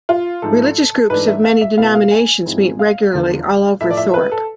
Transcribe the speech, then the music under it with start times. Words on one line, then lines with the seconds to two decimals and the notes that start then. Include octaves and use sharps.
Religious groups of many denominations meet regularly all over Thorpe.
0.09 F4
0.42 G#2 F3 A3 A4
1.10 G#2 E3 A3 D4 B4
1.27 E5
1.44 F5
1.61 E5
1.78 B2 B3 E4 F5
1.95 F5
2.11 G#5
2.46 G#2 F3 G#3 C4 E4
2.79 F5
3.13 E2 D3 F3
3.81 A2 F3 A3 E4 E5
3.91 D5
3.97 E5
4.14 B4
4.32 A4